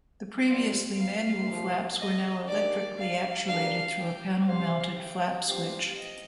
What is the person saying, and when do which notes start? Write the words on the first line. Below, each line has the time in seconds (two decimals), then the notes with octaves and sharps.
The previously manual flaps were now electrically actuated through a panel-mounted flap switch.
0.48 A#2 G3 C4 G4 C5 F5
0.98 F5
1.48 C2 A#2 F3
1.98 D#5
2.47 D#3 A#3 D4 G4 D5
2.97 F5
3.47 D3 G3 D4 G4 A#4 F5
3.97 G5
4.46 C3 G3 C4 G4 C5 F5
4.97 G5
5.46 G2 F3 C4 G4 C5 F5
5.96 D#5